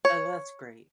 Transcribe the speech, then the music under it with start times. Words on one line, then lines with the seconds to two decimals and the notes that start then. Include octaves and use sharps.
Tha that's great.
0.05 C#5